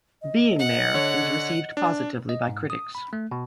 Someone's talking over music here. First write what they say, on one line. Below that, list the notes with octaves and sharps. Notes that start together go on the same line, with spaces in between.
"Being There" was received positively by critics.
D#5
F#5
D3 C#5
D4
D#5
G#2
D#6
B5
A3
B2